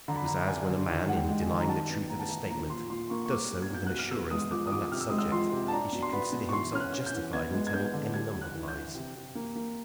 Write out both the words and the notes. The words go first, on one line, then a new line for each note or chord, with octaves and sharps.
It was as when a man, in denying the truth of a statement, does so with an assurance that on that subject he should consider himself justified in telling any number of lies.
D3 A#5
B5
A#5
D3
D3 G#5
D3
D#3
G#3 F#5
G5
G#3
G#5
D#3
A#5
G3 A5
B3
A2 A#5
A5
E3 A#5
A#2 A#5
F3 C6
A#2 C6
A#3 C#6
C#6
G3 D6
G3
G#6
B2 G6
B2 F#6
F6
B3 E6
G#3 D#6
F3 D6
D#6
F3 D6
C3 F6
E6
G#3 D#6
E6
F3 C6
C3
A5
D4 A#5
B2
C6
B3 B5
B2
C#6
E3 C6
C#4 F6
F#6
C#4
G6
E3
B3 G#6
G#3
G#6
B3 G6
D3
G3 G#6
G3
F#6
E3
G6
E3
C3
C3
A#3
A#3